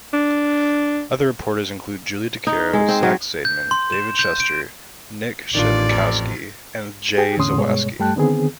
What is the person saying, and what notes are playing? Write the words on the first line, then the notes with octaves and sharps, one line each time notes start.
Other reporters include Julie Dicaro, Zach Zaidman, David Schuster, Nick Shepkowski, and Jay Zawaski.
D4
D#4
G#3
C4
F#3
G6
C6
E7
G6
D7
A1 D#3 D4 F4 D5
F2
G4 G#4 G5
E2 A2 D3 C#4 C6 D#6
G2 B2 G#3 C#5
G2 G3 A3 G5 A5 F#6
D3 D#3 B3 C4 G#4